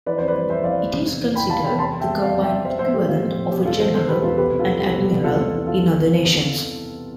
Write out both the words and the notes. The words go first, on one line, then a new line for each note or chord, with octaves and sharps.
It is considered the combined equivalent of a general and admiral in other nations.
E3 B4 D5
F2 C5
B4 D5
G3
F2 C5 E5
E3 D5 F5
F2
C3
E2
E3
E2 G5 B5
C3 F5 A5
E2 G5 B5
C3 A5 C6
F2
E5 G5
G3
F2 D5 F5
C3
E5 G5
F2
F3 C5 E5
A2 C5 E5
A3 G4
A2 F4
F3
A2
B2 G4
E2 F4 A4
G3 A4 C5
E2 A4 C5
B2 G4 B4
E2 F4 A4
B2 G4 B4
C2
F4 A4
G3
C2 G4
B2
G4
C2
C3 F4 A4
E2
E3
F4 A4